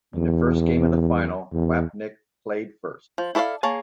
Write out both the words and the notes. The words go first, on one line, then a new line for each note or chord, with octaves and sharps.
In the first game of the final, Wapnick played first.
E2
E2
F3
E4 A4 D5 D#5 F5
A#3 G#4 C#5 A5